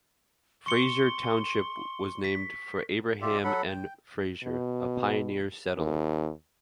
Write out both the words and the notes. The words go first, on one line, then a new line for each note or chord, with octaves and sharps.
Fraser Township was named for Abraham N. Fraser, a pioneer settler.
C6 C#6 C#7 G7
B6
F4 G4 D5 E5
F#3 A4 F#5 B5
G5
B2
D#2